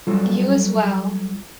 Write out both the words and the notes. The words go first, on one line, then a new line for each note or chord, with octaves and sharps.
You as well.
F#3 G3 F4 F#4 A4